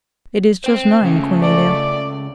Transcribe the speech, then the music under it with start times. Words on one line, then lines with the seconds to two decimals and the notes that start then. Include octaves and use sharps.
"It is just nine, Cornelia."
0.64 C5 G5
1.01 C#2 A3 C#4
1.42 D5